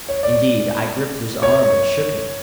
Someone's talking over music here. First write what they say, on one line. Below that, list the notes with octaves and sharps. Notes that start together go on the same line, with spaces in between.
Indeed I gripped his arm and shook him.
C#5
D5
C#5